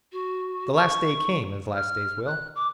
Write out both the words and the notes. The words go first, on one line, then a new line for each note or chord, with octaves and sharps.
The last day came, as last days will.
F#4
C#6
F6
F#6
D6